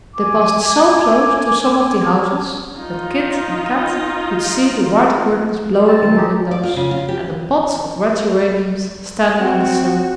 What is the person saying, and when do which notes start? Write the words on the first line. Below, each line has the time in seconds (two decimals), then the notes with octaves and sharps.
They passed so close to some of the houses that Kit and Kat could see the white curtains blowing in the windows, and the pots of red geraniums standing on the sill.
0.15 G#5 D6 G#6
2.77 D#4 F4
5.87 C4 A5
6.02 D#3 A3 G#4
6.17 D#4 G4
6.51 D5
6.63 F4
6.76 C#3
6.91 F4
7.09 G4
9.39 C4 F#4